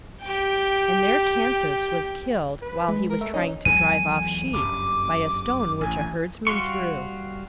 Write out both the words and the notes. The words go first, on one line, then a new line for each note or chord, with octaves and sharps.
And there Canthus was killed while he was trying to drive off sheep, by a stone which a herdsman threw.
G4 G5
B4
G#3
A#4
A3 E5
C#4 D#4
E2 F#3 G#3 G#5 D#7
F#1 G2 D6
A1 G#5
G3 F#4 F5 C6 C#6